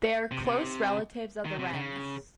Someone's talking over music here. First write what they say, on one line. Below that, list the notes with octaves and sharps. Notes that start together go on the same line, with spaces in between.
They are close relatives of the wrens.
C3
C3
D#3
C3
C#3